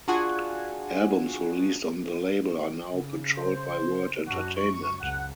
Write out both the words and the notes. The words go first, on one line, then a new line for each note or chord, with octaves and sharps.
Albums released on the label are now controlled by Word Entertainment.
D4 F4 F#4 G#4 F#5 G#5
C#3
C5
F#2 D4 F#4
C#6
C#2 F#5